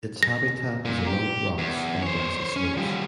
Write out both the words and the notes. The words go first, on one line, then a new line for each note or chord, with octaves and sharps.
Its habitat is among rocks on grassy slopes.
A#6
A#2
G4
E2
C5 C#5
C#4
F3 G3